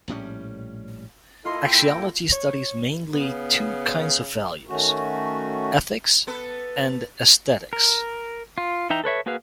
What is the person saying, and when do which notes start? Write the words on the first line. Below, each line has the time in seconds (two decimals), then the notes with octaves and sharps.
Axiology studies mainly two kinds of values: ethics and aesthetics.
0.08 A#1 A2 G3 C#4
1.45 A#3 E4 F4 A4 D#5 C6
1.64 G5
1.84 A#6
2.32 C#5
3.13 C#3 B3
4.68 D#3 A3 C#4 F#4
6.27 B3 A4 B4
7.73 A#4
8.58 F4
8.90 E3 D#4 E5 G5 A#5
9.04 A4 B4 C#5 E5
9.26 A#3 F#4 G#4 B4 F5